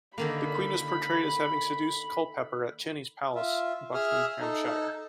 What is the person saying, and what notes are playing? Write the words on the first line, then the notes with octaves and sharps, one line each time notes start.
The Queen was portrayed as having seduced Culpeper at Chenies Palace in Buckinghamshire.
D3 D#3 A#3 B5
F4 E5
G#4 E5 D#6 F6
D#4 A4